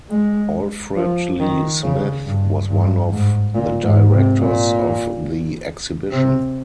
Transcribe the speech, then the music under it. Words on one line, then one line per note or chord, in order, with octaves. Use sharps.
Alfred Lee Smith was one of the directors of the exhibition.
G#3
F3
D#3
C#3
G2
G2
G#2
A#2
G#2
C3
A#2
C3